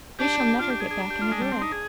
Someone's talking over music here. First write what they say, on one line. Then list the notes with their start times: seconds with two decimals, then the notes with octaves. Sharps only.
We shall never get back in the world!
0.19 D4 G4
0.40 G4
0.59 D4 F4
0.70 G4
0.80 G#4
0.91 G#4
1.10 G4
1.21 F4
1.31 G#3
1.42 G3
1.52 C4
1.61 D#4
1.72 G#4